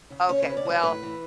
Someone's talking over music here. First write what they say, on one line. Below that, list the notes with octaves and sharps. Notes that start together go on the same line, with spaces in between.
Okay. Well,
C#3
C#4 C#5
B4
C#3
D5
F#3 B4
A2 B4
E3